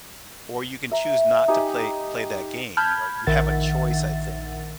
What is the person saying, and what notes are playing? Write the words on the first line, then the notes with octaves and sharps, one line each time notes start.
or you can choose not to play play that game, you know? You have a choice, I think.
E5 A#5
D#4 G4 G#5
A5 B5 F6 G6 G#6
A#1 D#3 A#4 E5 F#5 A6